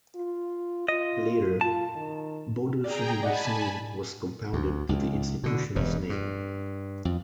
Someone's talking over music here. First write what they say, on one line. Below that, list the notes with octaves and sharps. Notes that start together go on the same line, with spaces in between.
Later Bodelschwingh's name was compounded to the institution's name.
F4
F4 D#5
F4 A5
D#3
G#4 D5 G5 A#5
D5 D#5 F#5 G#5 A5 B5
D2
C#2
B2 D3
E1 G2
G2
F2